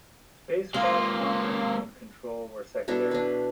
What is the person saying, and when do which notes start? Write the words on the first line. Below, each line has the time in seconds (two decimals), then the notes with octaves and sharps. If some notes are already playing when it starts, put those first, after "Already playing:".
Spacecraft monitoring and control were secondary.
0.74 G#3 A#3 F4
2.88 B2 D4 E4 A4
3.11 D4 B4